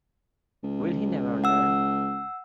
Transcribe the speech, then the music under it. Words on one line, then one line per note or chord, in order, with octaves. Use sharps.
Will he never learn?
C#2
F#5 E6